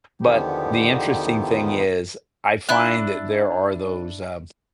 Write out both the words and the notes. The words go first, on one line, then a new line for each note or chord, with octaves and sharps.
but the interesting thing is I find that there are those, uh,
E2 D3 D#3 F3 B3 G4
D4 E4 F#6